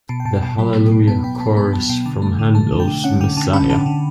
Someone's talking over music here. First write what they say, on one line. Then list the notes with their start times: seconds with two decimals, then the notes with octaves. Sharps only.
The Hallelujah Chorus from Handel's Messiah.
0.09 B2 A5
0.20 G5
0.25 B2 A5
0.42 B2 A5
0.58 F#3 B5
0.75 B3
0.91 B2
1.07 B3 A5
1.24 B3 G5
1.40 B3 A5
1.57 B3 B5
1.73 F#3 A5
1.89 B2 G5
2.06 D3 A5
2.22 A3
2.39 D3
2.55 A3 A5
2.71 D3
2.80 G5
2.88 D3
3.04 C#4 F#5
3.21 D3 G5
3.37 D3 A5
3.53 C#4 B5
3.70 D3 A5
3.86 D3